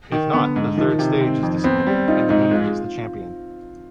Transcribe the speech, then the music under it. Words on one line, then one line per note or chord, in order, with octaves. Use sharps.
If not, the third stage is disputed, and the winner is the champion.
D#3
D3 B3
G#2
D#3 F3
C3
C4
F2
B3 C4
G3
D#4 F4
G#2 D#4
G#3 F4